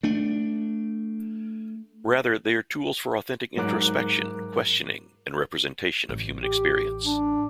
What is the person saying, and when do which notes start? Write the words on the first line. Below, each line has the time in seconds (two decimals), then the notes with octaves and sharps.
Rather, they are tools for authentic introspection, questioning and representation of human experience.
0.03 A3 D4
3.57 G#2 F#3 A#4 D6 F#6
6.09 A1
6.42 G4
7.04 D4